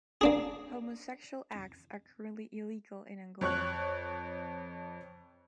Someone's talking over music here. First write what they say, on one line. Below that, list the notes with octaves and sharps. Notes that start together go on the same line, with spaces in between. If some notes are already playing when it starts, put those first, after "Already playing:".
Homosexual acts are currently illegal in Angola.
A#3 D4 G#4
F2 C#5 C#6 F#6